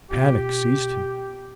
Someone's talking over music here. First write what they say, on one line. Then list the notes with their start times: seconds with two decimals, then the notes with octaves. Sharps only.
Panic seized him.
0.10 B2 F4 G4 G5